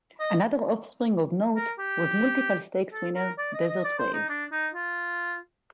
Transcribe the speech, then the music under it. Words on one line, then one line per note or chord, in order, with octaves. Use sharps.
Another offspring of note was multiple stakes-winner Desert Waves.
D#5
A#4
G4
A4
A#4
D5
D#5
D#5
D5
C5
D#4
D4
D#4
F4